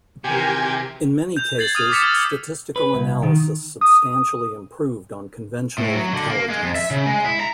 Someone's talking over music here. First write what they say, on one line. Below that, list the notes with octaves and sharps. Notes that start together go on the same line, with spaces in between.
In many cases statistical analysis substantially improved on conventional intelligence.
C3 D#3 E3 G4 A#4 G#5
G6 F7
G#6 A6 C7 F#7
D#6 F6 D#7
D6 F6 A6 B6 C#7 E7
E6 F6 G#6 A6 B6
B4
C2
D#3
D#6
A2
F#3
D3
A#3
G#3
F2
E5
C#3
G#3
E4
A#5